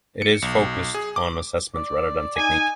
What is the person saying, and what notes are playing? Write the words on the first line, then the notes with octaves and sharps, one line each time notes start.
It is focused on assessment rather than technique.
C#7
B1
G#4
D6
D5
D#4 G#5